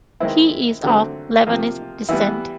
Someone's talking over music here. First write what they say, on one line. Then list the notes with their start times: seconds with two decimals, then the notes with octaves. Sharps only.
He is of Lebanese descent.
0.20 D#3 G#3 C4 E4
0.83 D3 F#3 A3 C4
1.47 C3 F3 A#3 F4
2.09 E3 G3 B3 E4